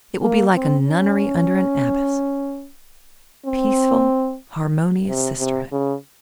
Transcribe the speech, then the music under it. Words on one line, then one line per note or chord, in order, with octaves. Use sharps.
"It will be like a nunnery under an abbess--a peaceful, harmonious sisterhood."
A#3
C4
C#4
C4
C3
C3
C#3